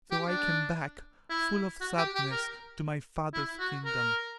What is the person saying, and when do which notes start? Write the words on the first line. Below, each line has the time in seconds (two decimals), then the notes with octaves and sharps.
So I came back, full of sadness, to my father's kingdom.
0.11 G4
0.28 D4
1.30 E4
1.81 F#4
1.98 G4
2.15 G4
2.32 A#4
3.34 E4
3.59 F#4
3.85 A#4